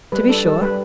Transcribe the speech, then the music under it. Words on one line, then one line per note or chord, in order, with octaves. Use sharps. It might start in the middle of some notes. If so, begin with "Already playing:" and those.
'To be sure.
G3 B4
D4 A4
G3 A4
G3 B4